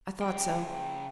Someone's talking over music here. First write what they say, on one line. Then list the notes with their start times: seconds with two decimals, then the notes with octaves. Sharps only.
I thought so.
0.22 C#3 G5